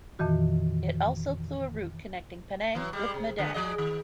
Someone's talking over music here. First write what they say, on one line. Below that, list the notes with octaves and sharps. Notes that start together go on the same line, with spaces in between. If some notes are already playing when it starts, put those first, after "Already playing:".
It also flew a route connecting Penang with Medan.
F2 A#2 D#3 E3 F#4
E3 F#3
G3 G#3
C3
D3 B3
F3 G#4 D#5
D#3